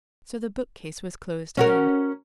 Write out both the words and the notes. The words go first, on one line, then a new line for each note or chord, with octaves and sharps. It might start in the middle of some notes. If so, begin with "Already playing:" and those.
So the bookcase was closed again.
C#4 F#4 A#4